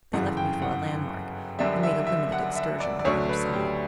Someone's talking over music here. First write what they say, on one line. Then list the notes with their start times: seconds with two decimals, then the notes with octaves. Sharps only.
They left me for a landmark and made a limited excursion on either side.
0.13 G1 F#2 C#3 E3 F#5
0.37 G5
0.62 F#5
1.59 F#1 F#2 D3 G3 E5
1.83 E5
2.07 E5
2.32 F#5
2.56 E5
2.80 D5
2.99 D5
3.05 D2 D3 F#3 A3 D4 C#5
3.29 B4
3.53 G4